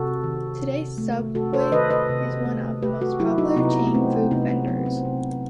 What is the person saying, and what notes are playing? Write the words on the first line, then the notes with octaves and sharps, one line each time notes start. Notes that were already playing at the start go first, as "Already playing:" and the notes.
Today, Subway is one of the most popular chain food vendors.
Already playing: C3 F#4 A4
D#3
C3
A3
C3 F#4 A4
A4 C5
D#3 B4 D#5
B4 D#5
C3
A3
C3 G4 B4
F#4 A4
F#3 E4 G4
D#4 F#4
C3 B3 D#4
B3
A3 C4
C3 B3 D#4
C4
F#3 B3
C4
C3